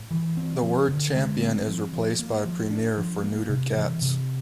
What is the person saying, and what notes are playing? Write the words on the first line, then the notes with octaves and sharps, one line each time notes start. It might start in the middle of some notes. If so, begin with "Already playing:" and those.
The word Champion is replaced by Premier for neutered cats.
Already playing: A2
E3
C4
F3
D3
G#3
C4
F3
F3
A#3
F3
D4
F3
A#3
C3
E3
C3